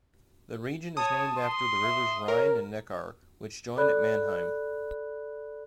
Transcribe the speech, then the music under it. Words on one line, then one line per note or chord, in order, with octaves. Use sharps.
The region is named after the rivers Rhine and Neckar, which join at Mannheim.
C#5 A5 D#6
C6
E5
A#4 C#5
A4 D5 B5 F#6